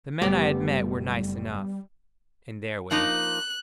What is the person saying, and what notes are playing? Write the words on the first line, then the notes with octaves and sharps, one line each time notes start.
The men I had met were nice enough--in their way.
F#1 G3 A3 B3 G4
F3 A#3 D#4 F#6